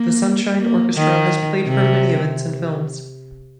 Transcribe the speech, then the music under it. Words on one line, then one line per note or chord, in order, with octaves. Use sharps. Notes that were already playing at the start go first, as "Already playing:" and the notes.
The Sunshine Orchestra has played for many events and films.
Already playing: A#3
A#3
D#3
C3